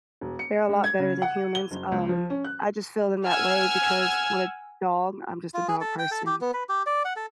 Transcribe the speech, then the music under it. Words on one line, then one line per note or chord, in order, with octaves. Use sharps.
They're a lot better than humans, um, I just feel in that way because with a dog- I'm just a dog person-
E1
C#7
G#3
G#6
C#3
F#5
G7
F#1
C#2
F3
C#4
F#6
F#5 G#5 E6 F6 G#6
F4
G#4
A4
G5
A4
G4
B3
B4
G4
D5
F#5
A4